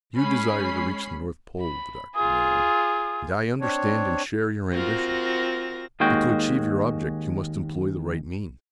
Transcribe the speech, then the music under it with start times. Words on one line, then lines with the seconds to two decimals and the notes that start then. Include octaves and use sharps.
"You desire to reach the North Pole," the Doctor went on; "and I understand and share your ambition, but to achieve your object you must employ the right means."
0.17 G#3 C#4 B5 C7
1.60 B5
2.15 F4 G#4 D#6
3.61 C4 D4 C#5
4.72 C4 F4 F#4 A#4 A#6
6.00 D#2 D#3 G#3 F#4 G5